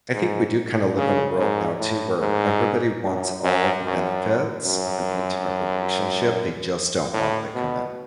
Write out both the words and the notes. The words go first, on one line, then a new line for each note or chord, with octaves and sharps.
I think we do, kind of live in a world now too, where everybody wants all the benefits of an intimate relationship, they just don't want the commitment.
G#2
C#3
G#2
A2
G#2
F#2
F#2
F#2
F#2
A2
B2